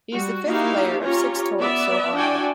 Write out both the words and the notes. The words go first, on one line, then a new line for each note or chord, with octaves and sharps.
He is the fifth player of six total so honored.
G3 F#4
A#3 D#4 E4 F#4 G4 F5
C#4 F4 G4 C#5 A#5
B3 D5 E5
D4 E4 F#4 D5 G5 G#5